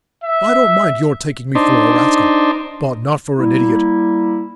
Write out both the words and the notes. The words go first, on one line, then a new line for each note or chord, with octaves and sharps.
I don't mind your taking me for a rascal, but not for an idiot.
E5
D4 D#4 C5
G3 A#3 E4